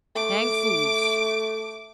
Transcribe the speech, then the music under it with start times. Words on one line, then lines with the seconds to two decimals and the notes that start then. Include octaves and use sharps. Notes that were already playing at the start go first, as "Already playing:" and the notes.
Chang Foo's!
0.16 A3 D6